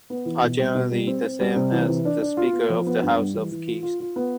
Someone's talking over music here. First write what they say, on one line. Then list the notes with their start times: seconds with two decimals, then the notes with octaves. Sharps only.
Are generally the same as the Speaker of the House of Keys.
0.10 B3
0.25 E3
0.42 B2
0.59 G3
0.75 B2
0.92 G3
1.07 C4
1.24 C4
1.40 G3
1.56 C3
1.72 E3
1.88 E3
2.05 D4
2.21 D4
2.37 F4
2.53 B3
2.69 F3
2.87 B3
3.02 G2
3.19 G3
3.34 E3
3.51 E3
3.67 F4
3.83 F4
4.00 F4
4.16 B3